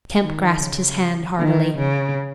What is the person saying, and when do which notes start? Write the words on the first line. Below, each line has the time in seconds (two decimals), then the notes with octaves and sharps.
Kemp grasped his hand heartily.
0.22 D#3
0.60 C#3
1.39 D#3
1.78 C#3